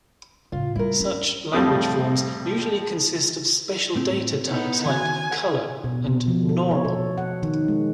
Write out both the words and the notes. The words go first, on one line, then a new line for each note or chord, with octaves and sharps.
Such language forms usually consist of special data types, like "color" and "normal".
A2 C#3 F4
G3 E4 A#4
C#4 D4
F2 A2 G3 A3 C4 D#6
A2 C4
B3 D#4 E4 C#5
D#3 F#4 G#5
F#5
B2
B2
F3
A4
C#5
A4
F#5
D#3
G#3